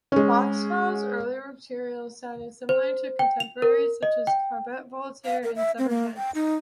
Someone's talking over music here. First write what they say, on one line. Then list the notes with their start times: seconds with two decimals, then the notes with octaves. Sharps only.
Boxcar's early material sounded similar to contemporaries such as Cabaret Voltaire and Severed Heads.
0.12 G#3 C#4
2.69 C5
3.19 G5
3.40 F7
3.62 A#4
4.03 D#5
4.27 G5
5.25 F5
5.43 A#4
5.56 E5
5.78 C4
5.89 A#3
6.17 G5
6.35 D#4